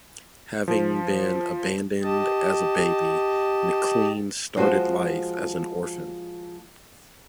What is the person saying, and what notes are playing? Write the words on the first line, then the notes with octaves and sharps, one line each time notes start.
Having been abandoned as a baby, McClean started life as an orphan.
F3
G4 D#5 A5
F3 G#3 F#4 C5